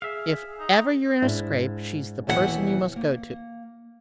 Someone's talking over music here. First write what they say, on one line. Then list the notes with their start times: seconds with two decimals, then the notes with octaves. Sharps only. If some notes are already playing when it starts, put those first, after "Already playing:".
"If ever you're in a scrape, she's the person you must go to."
0.02 G#4 E5 F5
0.59 D#4
1.22 G#2 D4 E4
2.27 D#2 B2 E3 A#4 F#5
2.96 A#3